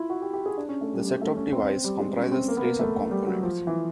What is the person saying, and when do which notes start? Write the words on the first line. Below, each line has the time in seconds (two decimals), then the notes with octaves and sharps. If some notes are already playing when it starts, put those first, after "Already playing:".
The set-top device comprises three subcomponents.
Already playing: E4 F4
0.10 F#4
0.22 G4
0.33 G4
0.46 G#4
0.58 D4
0.69 C#4
0.81 A3
0.93 G3
1.05 G3
1.22 A3
1.36 C#4
1.53 C4
1.84 G3
2.00 G#3
2.17 C#4
2.32 C4
2.48 A#3
2.57 B3
2.63 A#3
2.79 A3
3.11 G3
3.27 F#3
3.43 F3
3.67 E3